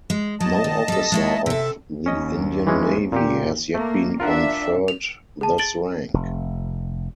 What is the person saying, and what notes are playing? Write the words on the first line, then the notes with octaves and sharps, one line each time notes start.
No officer of the Indian Navy has yet been conferred this rank.
G#3
F#3 D#5 A5
D#3
G3 A4
G#3 E4 C#5
C3 A4 E5
D#2 C#4 D#5
E3 G#3 C#4
A#2 G4
A3 A#3
D4 F4 A#4 E5 F#5
F7
G#4 A5
A6 D7 F#7 G7
F1